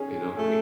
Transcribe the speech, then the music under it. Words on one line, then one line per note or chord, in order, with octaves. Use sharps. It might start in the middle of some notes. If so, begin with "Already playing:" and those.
You know, i
Already playing: C#4 G#4
A3 G#4